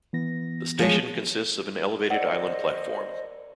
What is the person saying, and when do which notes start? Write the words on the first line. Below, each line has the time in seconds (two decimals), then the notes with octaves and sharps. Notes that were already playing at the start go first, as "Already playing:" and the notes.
The station consists of an elevated island platform.
0.13 E3 B3 A#6
0.79 F3 G#3 C#5
2.10 A#4 C5 D5 D#5 F#5 C#7